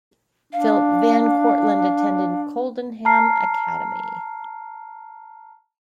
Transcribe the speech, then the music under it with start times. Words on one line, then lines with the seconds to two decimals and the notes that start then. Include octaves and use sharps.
Philip Van Cortlandt attended Coldenham Academy.
0.53 D4 F5
3.05 A5 A#5 F6 C7